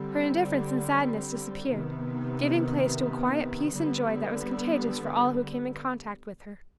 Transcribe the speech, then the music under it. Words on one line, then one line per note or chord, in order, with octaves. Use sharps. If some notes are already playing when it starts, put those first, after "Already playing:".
Her indifference and sadness disappeared, giving place to a quiet peace and joy that was contagious for all who came in contact with her.
Already playing: D3 G3 C4
C3 D#3 B3
D3 G3 B3